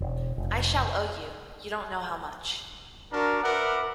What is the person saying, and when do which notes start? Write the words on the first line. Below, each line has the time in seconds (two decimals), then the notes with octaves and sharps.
I shall owe you, you don't know how much.
0.01 E1
0.38 F1
3.12 D4 F#4 A#4
3.43 A#4 B4 E5 F#5 D6